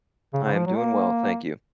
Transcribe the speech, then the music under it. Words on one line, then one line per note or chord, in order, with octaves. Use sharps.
I am doing well, thank you.
C#3
C#3
F3
F#3
A#3